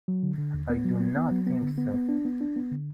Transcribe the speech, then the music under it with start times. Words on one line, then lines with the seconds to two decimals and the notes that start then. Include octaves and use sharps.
I do not think so.
0.08 F#3
0.23 D3
0.38 D3
0.54 D#2
0.70 B3
0.85 F#3
1.00 B3
1.17 B3
1.31 F#3
1.47 B3
1.63 D3
1.78 B3
1.94 B3
2.09 D4
2.25 B3
2.41 D4
2.56 B3
2.71 D3